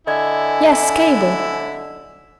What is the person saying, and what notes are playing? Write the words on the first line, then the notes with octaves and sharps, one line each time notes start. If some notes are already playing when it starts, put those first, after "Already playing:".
'Yes, cable.
D3 E4 D#5 G#5 G#6